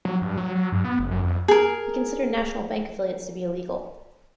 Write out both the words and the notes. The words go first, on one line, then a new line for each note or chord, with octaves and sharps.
He considered national bank affiliates to be illegal.
F#3
G2
F#3
F#3
G2
B3
F#1
F#2
F2
G#4 A#4